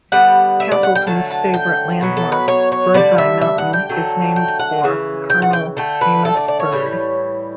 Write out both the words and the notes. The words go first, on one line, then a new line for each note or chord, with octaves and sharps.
Castleton's favorite landmark, Birdseye Mountain, is named for Colonel Amos Bird.
D3 G3 B3 F#5
E5
D5
F#5
G5
D3 F#3 A3 A5
A5
G5
B2 F#3 B3
A4
B4
C#5
C#5
D3 G3 B3 D5
E5
E5
F#5
G5
D3 F#3 A3
G5
F#5
C#3 E3
G5
F#5
G5
D3 A3 G5
B4
A4
D5
D5
C#5
A2 E3 G3